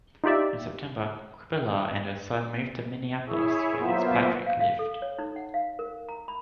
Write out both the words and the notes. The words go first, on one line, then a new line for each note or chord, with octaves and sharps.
In September, Qubilah and her son moved to Minneapolis, where Fitzpatrick lived.
D#4 F4 G4 D5 E5
E4 G#4 C#5 E5
F#3 A#3 B3 F4 C5 E5
F5
F5
A4
C#5
D#4
F#5
F5
A#4
A#5
B5